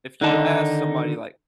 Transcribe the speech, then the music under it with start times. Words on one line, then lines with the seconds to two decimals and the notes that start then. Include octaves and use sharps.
If you ask somebody, like
0.21 D3 D#3 D#4 A5